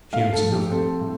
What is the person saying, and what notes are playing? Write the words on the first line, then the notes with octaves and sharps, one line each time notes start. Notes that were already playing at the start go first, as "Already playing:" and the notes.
She answered nothing.
A3 F5
A4
F3
G4
C4 A4
A2